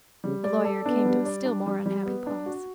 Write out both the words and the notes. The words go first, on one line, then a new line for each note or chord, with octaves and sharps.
The lawyer came to a still more unhappy pause.
C#3 G3
D5
A3
A4
B3 D4
G3
D5
D4
G3
G3
B3
D4
F#4